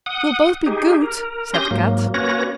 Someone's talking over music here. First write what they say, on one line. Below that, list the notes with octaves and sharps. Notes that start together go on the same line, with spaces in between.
"We'll both be good," said Kat.
F#5 D#6
D#4 G4 G#4
A#4
C#4 G4 C6 D#6 G6 A#6
G#2 F#3 A#3
A#3 C#4 F#4 B4 C#5 A#6